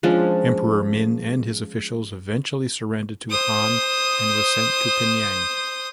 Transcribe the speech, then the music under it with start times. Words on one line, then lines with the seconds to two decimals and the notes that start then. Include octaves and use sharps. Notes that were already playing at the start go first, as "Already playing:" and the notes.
Emperor Min and his officials eventually surrendered to Han and was sent to Pingyang.
0.03 F3 G#3 C#4 D4
3.30 C5 D#6